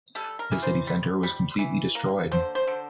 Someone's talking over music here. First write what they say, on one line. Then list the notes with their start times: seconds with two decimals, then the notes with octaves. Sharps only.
The city center was completely destroyed.
0.15 G3 A4
0.39 A#4
0.52 E3
0.63 C5
0.87 G3
1.23 G3
1.59 E3
1.95 A#3
2.31 D3 C5
2.55 C5
2.67 D3